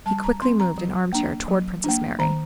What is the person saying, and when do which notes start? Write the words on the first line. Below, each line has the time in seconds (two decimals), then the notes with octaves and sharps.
He quickly moved an armchair toward Princess Mary.
0.06 G3 A5
0.24 A#5
0.42 C4 C6
0.60 A#5
0.78 F#3
1.13 A#3 D4
1.48 F#3
1.84 A#3 D4
2.19 D#3 A#5